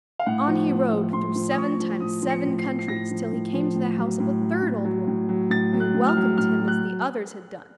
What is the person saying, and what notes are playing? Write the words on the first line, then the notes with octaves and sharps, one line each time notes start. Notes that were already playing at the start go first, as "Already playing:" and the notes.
On he rode, through seven times seven countries, till he came to the house of a third old woman, who welcomed him as the others had done.
F5
A2 F#5
F3
A2
F3
A2 C6
F3
D#6
A2 C#6
F3
A2 D#6
F3
C#7
A2
C7
F3
C7
A2 A#6
F3
A2
F3
A2
F#3
A2
F#3
A2
F#3
A2
F#3
A2 A6
F#3
F#6
A2
F6
F#3
A2 F6
F#3
F#6